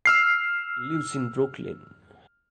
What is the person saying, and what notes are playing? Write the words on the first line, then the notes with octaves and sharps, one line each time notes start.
Lives in Brooklyn.
E6 F6 C7